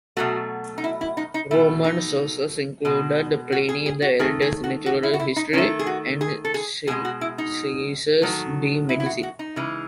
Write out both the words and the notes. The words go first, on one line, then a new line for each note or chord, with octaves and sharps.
Roman sources included Pliny the Elder's "Natural History" and Celsus's "De Medicina".
B2 F#3 A3 F#4
D#4
E4
E4
D#4
D#4
B2 A3 E4
D#4
B2 G#3
F#4
G#4
G#4
F#4
D#3 A3 G#4
G#4
F#4
F#4
E4
F#4
E4
D#4
D#3 A3 C#4
G#4
F#4
G#4
A4
G#4
B2 G#3 G#4
F#4
E4
D#4
D#3 F#3 A3
E4
E4
F#4
F#4
D#4
C#3 E3 G#3